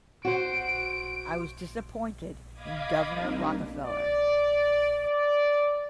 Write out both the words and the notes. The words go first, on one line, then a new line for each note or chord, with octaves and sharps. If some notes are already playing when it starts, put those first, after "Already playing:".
I was disappointed in Governor Rockefeller.
F#4 C5 D7
D#5 F5 B5 D6 D#6 G#6
G3 A#3 C4 D4 D#4
D5
D5